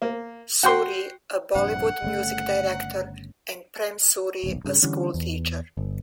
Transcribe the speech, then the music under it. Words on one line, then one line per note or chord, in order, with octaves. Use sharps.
Suri, a Bollywood music director, and Prem Suri, a schoolteacher.
A#3
F#4 G5 C6
A#1 G2 C3 F#5
G1 C#3 A3
D#1 B1
G2 C#3
D3 E3 G3 C#4
E2
G1